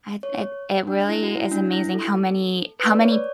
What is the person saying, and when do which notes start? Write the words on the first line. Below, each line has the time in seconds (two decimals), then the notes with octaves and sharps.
I it it really is amazing how many how many
0.23 C#5
0.87 D4
1.09 E4
1.23 F#4
1.37 E4
1.52 D4
1.72 E4
1.94 A4
2.80 B4
2.90 D5
3.01 C#5
3.12 D5